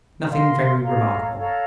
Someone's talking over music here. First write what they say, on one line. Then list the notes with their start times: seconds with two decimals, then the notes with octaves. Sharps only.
Nothing very remarkable.
0.28 A#4 F5 C6
0.83 A4 C#5 F5 A#5
1.37 A4 C#5 F5 A#5